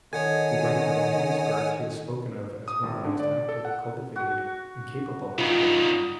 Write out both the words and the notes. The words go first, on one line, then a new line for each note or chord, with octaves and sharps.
You write that in Petersburg he is spoken of as one of the most active, cultivated, and capable of the young men.
D#3 A4 C#5 D#5 F#5 G#5 G#6
D#6
G#1
D3
D5
A4
F#5
F#4
G2 D#3 D#4 F4